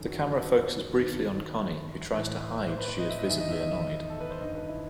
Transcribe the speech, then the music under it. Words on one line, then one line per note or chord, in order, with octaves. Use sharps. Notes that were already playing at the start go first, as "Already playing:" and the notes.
The camera focuses briefly on Connie who tries to hide she is visibly annoyed.
Already playing: F#2 D#3 A4
F#4
G4
A4
B4
G2 D#3
A2 E3
C5
B4
C5
D#5
E5
D#5
E2 D#3 E5
D#5
E5
D#5
E5
D#5
A4
B4
C5
G2 D#3 D#5
B4
E4